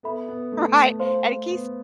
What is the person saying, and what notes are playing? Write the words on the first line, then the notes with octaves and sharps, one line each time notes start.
Right? And he Keith's
B3 A4 E5 B5
B3
A3
C5 F5 C6
B3